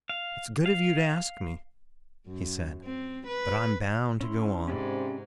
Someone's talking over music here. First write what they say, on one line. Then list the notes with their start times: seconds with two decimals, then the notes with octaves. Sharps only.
"It's good of you to ask me," he said, "but I'm bound to go on."
0.09 F5
0.66 F5
2.27 F#2
2.84 C4
3.27 B4
4.21 C#4 E4 C6
4.68 G#2 C3 C#4 D5 B5